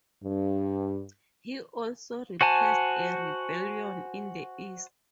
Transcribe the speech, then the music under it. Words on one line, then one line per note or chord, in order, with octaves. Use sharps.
He also repressed a rebellion in the east.
G2
F#4 C5 G#5 A5